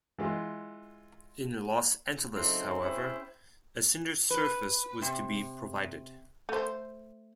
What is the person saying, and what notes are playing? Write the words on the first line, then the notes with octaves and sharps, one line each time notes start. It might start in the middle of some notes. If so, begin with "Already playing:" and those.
In Los Angeles, however, a cinder surface was to be provided.
E3 G#3 F4
C#3 F#3 C4 D#4 E4 A4
C4 C#4 E4 G#4 C5
B4
C3
A3 C5